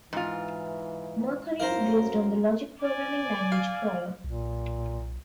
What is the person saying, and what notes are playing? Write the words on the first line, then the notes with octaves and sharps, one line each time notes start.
Mercury is based on the logic programming language Prolog.
G#2 E3 F4
F#2 A#4 C5 F5 A#5
D5 G#5
F5
B1 A#2